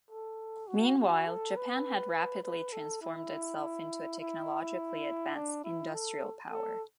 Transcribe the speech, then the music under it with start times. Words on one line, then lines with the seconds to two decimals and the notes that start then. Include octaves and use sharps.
Meanwhile, Japan had rapidly transformed itself into a technologically advanced industrial power.
0.11 A4
0.68 F#4
0.99 F#4
1.27 A4
1.57 B4
2.44 B4
2.72 A4
3.02 E4
4.19 E4
5.36 D4
5.64 E4
5.94 A4
6.52 A4